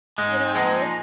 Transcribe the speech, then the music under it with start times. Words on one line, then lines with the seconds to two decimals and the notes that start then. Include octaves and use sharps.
you know?
0.18 G#2 G#3 D#4
0.55 A#2 F3 G#3 D#4